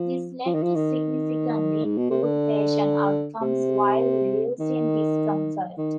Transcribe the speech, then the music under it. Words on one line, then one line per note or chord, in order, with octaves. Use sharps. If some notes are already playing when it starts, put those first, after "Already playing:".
This led to significantly improved patient outcomes while reducing discomfort.
Already playing: F3
F3
D#3
F3
D#3
G#2
B2
C3
D3
C3
D#3
D#3